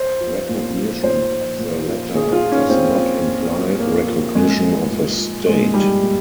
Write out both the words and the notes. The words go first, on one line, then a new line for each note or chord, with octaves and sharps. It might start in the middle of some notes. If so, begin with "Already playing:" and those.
Recognition of the latter does not imply recognition of a state.
Already playing: C5
F3
A#2
F3
A#2 C5
F3
A#2
F3
A#2 G#4
F4
F3
C#4
A#2 C4
F3
A#2
F3
A#2 A#3
F3
A#2 G#3
F3
A#2
F3
A#2 G#3
F3 G3
A#2